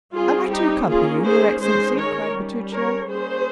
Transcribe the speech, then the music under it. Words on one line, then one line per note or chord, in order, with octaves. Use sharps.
"Am I to accompany you, your excellency?" cried Bertuccio.
G3 C4 F4 G#4
D#4 G4
D#3 A#3 C#4 F4 G#4
G#4 C5
D#3 G#3 C#4 G#4 C5
A#4 C#5
G3 C#4
A#4 C#5
G3 A#3 C#4 G#4 C5